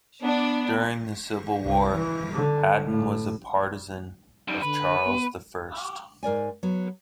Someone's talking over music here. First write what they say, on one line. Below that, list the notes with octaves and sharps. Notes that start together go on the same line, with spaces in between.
During the Civil War, Hatton was a partisan of Charles the First.
B3 D4
C2
E3
D3
A2
F#2 G3 D#4
D3 B4
B3
G#2 A#4 D5 G#5
F#3 B3